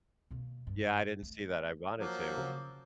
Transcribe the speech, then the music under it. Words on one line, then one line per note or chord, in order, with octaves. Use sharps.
Yeah. I didn't see that, I wanted to.
B2 A#3
G2
A3
F3 F#3 A#3
C#3